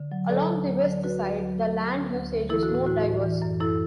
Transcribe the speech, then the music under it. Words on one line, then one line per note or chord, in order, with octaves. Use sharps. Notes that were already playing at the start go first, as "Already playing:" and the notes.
Along the west side, the land usage is more diverse.
Already playing: D3
F#3
D3 A4 D5
D2
F#3
D3
D2 F#4 B4
D2
F#3
F#3
F#3
D3
D2
D3
E3 E4 A4
F#4
A2
E4
A2 F#4
A2
E3
F#2
F#2 E4 A4